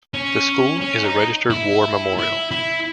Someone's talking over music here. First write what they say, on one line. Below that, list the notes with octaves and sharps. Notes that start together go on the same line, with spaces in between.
The school is a registered war memorial.
C#4
C#4
D#4
E4
E4
E4